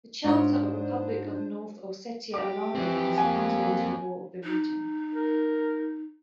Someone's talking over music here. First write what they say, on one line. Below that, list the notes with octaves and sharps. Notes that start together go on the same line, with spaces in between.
The Charter of Republic of North Ossetia-Alania is the fundamental law of the region.
G#2 D4 F4 C5 C#5
G4 D6
E3 F3 C4
A#3 G#5
D#4
A#4